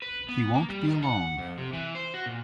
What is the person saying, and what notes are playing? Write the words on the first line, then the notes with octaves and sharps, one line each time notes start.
He won’t be alone.
B4
B3
A#3
G3
D#3
F#5
F2
C3
E3
C5
F#4
A#2